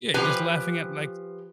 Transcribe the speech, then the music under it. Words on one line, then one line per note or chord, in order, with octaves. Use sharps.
Yeah, your just laughing at like
F3 G4 B4 G#5